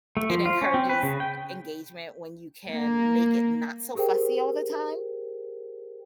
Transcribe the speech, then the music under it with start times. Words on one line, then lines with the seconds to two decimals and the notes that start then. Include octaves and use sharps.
it encourages e engagement when you can make it not so fussy all the time.
0.17 A3
0.30 F3
0.46 F4
0.62 C#4
0.74 C4
0.89 B4
1.03 C#3
1.20 G5
2.68 A#3
3.95 G4 G#4 A#4 C5 G5